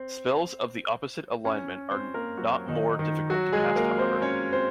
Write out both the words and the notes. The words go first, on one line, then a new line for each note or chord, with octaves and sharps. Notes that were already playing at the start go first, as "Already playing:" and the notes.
Spells of the opposite alignment are not more difficult to cast however.
Already playing: C4
C#4
C4 C5
A#3 A#4
F#3 F#4
D#3 D#4
D#3 D#4
F#3 F#4
G#3 G#4
A#3 A#4
C4 C5
C#4 C#5
C4 C5